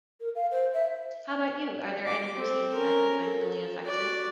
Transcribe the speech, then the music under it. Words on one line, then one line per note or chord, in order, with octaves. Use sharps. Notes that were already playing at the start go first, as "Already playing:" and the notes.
How ‘bout you? Are there any routines that you find really effective?
A#4
F5
C5
E5
D6
C4 A4
C#4 A#4
A4
F#4 D5